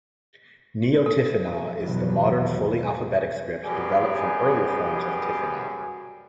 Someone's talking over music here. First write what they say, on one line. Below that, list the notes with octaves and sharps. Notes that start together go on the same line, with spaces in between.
Neo-Tifinagh is the modern fully alphabetic script developed from earlier forms of Tifinagh.
A4
E2 B2 D#3 F#3 G3 B3
F#2 B2 G3 G4 G#4